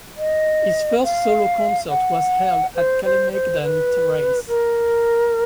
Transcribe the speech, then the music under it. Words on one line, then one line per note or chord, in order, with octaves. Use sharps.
His first solo concert was held at Kalemegdan terrace.
D#5
F5
F#5
C5
C5
C5
B4
A#4